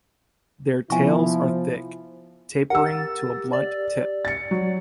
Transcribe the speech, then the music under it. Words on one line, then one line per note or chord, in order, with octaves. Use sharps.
Their tails are thick, tapering to a blunt tip.
C3 F3 B3 E4 F4 G#5 C#6
G4 A#4 F#5 E6
A6
D5
A6 C#7
F#3